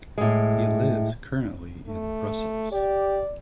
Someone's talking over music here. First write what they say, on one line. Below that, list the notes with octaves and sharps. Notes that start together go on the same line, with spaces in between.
He lives currently in Brussels.
A2 G#3
A3
G4 D5